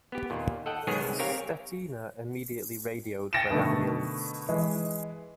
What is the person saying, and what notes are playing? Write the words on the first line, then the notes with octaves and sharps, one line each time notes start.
Stetina immediately radioed for an ambulance.
B3 G4
D#2 A#2
A4 D#5 F#5 G5
B2 D#3 F#3 G#3 B3 G#4
C2
C4 G4 A#4 C#5 F5 G#5
G5 A6 A#6 C#7 D7 E7
B2 D3 D#3 A3
E3 G#3